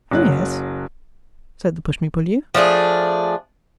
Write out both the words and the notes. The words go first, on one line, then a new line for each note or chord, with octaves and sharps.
"Oh, yes," said the pushmi-pullyu.
F#1 F#3 F#6
F3 A3 D4 G#4